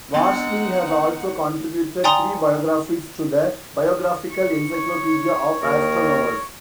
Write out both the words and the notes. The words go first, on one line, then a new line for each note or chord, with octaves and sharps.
Varshni has also contributed three biographies to the "Biographical Encyclopedia of Astronomers".
G#3 B3 C4 D4 D#4 F#5
D5 G5 G#5 A#5 C6 D#6
C#6
C#5
D#2 A#4